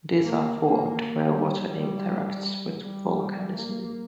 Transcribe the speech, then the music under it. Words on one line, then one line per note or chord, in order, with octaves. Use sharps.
These are formed where water interacts with volcanism.
A#3
A#3
G3
G3
G3
A#3